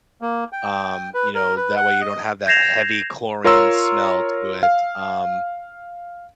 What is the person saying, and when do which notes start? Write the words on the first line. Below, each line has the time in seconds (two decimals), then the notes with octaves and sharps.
um, you know, that way, you don't have that heavy chlorine smell to it, um,
0.22 A#3
0.53 G5
1.14 B4
1.35 A#4
1.57 B4
1.76 F#5
2.01 D#5
2.47 G6 G#6 A#6 C7 E7 F7
3.44 F4 A#4 C#5 A#5 C6 E6
4.63 F5